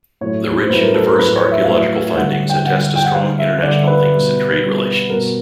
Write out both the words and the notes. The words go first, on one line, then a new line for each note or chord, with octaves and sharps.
The rich and diverse archaeological findings attest to strong international links and trade relations.
A2 F#3 A3 C#5
C5
A2 F#3 A3 B4
A#4
A4
A#4
A2 F#3 A3 B4
C#5
E5
F5
A2 F#3 A3 E5
D3 G3 F#5
F#5
G5
D3 G3 F#5
G5
F#5
D3 G3 F5
E5
D3 G3 D5
B4
B2 G3
B2 G3
B2 G3 A#4